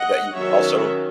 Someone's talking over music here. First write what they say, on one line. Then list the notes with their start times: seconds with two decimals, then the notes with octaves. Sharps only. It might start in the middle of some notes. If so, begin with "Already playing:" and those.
that you can also
Already playing: D#5 F#5
0.34 D#3 F#3 C#4 C#5 E5